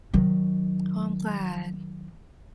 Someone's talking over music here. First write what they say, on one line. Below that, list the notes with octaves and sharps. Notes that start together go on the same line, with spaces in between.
Oh, I'm glad.
D#3 F#3